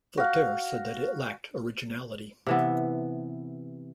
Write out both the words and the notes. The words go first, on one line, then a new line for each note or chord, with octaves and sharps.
Voltaire said that it lacked originality.
F#4 F5
C3 E3 B3